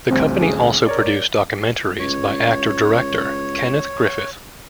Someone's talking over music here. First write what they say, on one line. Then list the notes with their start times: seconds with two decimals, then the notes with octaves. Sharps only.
The company also produced documentaries by actor-director Kenneth Griffith.
0.11 A1 D2 G3 C4
0.42 C#4 G#4
0.86 A#4 C#5 D5
1.99 C#2 C#5